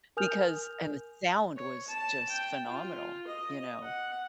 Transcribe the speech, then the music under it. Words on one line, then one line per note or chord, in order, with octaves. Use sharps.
because and the sound was just phenomenal, you know,
A#4 G#5 D#6 F6 G6 F7
C#5
A5
G5
F4
D#5
F#5